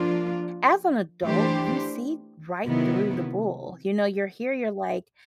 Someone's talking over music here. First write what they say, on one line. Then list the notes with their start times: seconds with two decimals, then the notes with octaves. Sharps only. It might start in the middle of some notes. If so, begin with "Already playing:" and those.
As an adult, you see right through the bull, you know, you're here, you're, like,
Already playing: F3 A#3 D4 F4
1.23 E3 A3 D4 G4 C5
2.65 C3 D#3 F#3 B3 E4